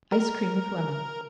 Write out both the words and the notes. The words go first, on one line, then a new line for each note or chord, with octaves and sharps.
Ice Cream with Lemon.
A#4